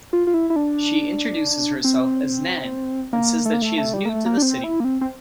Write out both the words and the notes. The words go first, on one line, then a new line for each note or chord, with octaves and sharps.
She introduces herself as Nan, and says that she is new to the city.
F4
F4
E4
E4
D4
C4
A#3
A3
A#3
A3
A3
G3
A#3
A3
A#3
D4
C4
E4
A#3
C4
C4